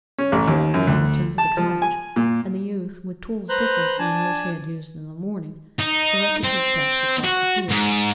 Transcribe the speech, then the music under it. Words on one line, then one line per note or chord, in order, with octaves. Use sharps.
The old man returned to the cottage, and the youth, with tools different from those he had used in the morning, directed his steps across the fields.
C#4
A1
D#2
F#2
D2
A5
F3
G#5
A#2
B4 C5 A#5 F#6 G6
D4 G#5 A5
D#4
C4
F#4
G#2